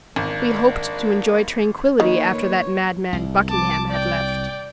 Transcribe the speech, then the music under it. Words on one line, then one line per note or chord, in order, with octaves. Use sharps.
"We hoped to enjoy tranquillity after that madman Buckingham had left."
G#1 A#3 D4
D#3 A#3 B4 C#5
C2
A5 D6
D5 G5